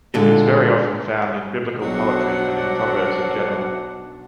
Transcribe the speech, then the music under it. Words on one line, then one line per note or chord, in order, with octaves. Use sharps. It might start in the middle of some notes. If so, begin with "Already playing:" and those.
It is very often found in Biblical poetry and in proverbs in general.
A#2 D3 G#3
B1 B2 F#3 D4 C5 F#5